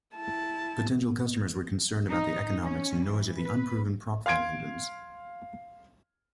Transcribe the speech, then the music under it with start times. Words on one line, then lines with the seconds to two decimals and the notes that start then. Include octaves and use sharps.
Potential customers were concerned about the economics and noise of the unproven propfan engines.
0.16 E4 A5
2.09 D#4
2.62 C#4
3.05 E3
3.39 B4
4.26 F5 C6 G#6 D7